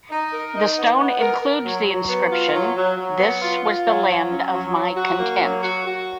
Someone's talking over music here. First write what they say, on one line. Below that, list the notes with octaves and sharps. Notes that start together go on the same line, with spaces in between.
The stone includes the inscription "This was the land of my content".
D#4
A#4
D#4
B3
B3
A#4
A#4
F#3
F#3
B3
F4
F#3
F#3
F#3
B3
F4
F4
F#3
F#3
C#4
F#3
F#3
F#4
A#3
F#3
F#4
F#4